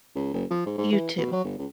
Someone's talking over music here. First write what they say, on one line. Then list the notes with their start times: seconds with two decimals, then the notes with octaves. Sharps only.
You too.
0.15 C#2
0.34 F#1
0.51 F3
0.66 G#2
0.78 G#2
0.93 E3
1.18 B2
1.33 F#3
1.44 G1
1.58 C#2